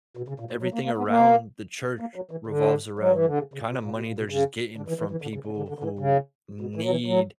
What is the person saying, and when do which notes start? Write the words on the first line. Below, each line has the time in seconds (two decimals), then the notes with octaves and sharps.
Everything around the church revolves around kinda money they're just getting from people who need
0.17 B2
0.28 C#3
0.40 A#2
0.51 B2
0.63 F#3
0.74 A#3
0.85 A#3
0.98 B3
1.08 A#3
2.00 A#3
2.16 F#3
2.31 E3
2.47 D3
2.99 F#3
3.12 E3
3.25 D3
3.38 C#3
3.54 C#3
3.69 B2
3.85 A#2
3.96 B2
4.07 A#2
4.18 B2
4.30 C#3
4.77 D3
4.88 E3
4.99 E3
5.11 E3
5.22 D3
5.34 C#3
5.45 C#3
5.57 D3
5.68 D3
5.79 D3
5.84 E3
5.99 C#3
6.61 B2
6.76 E3
6.83 F#3
6.91 E3
7.06 F#3